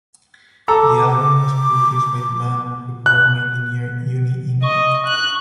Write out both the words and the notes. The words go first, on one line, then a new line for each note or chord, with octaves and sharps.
The album was produced by the band and recording engineer Uni Inoue.
A4 A#5 D6 E6
F#6
D#5 C#6
F#6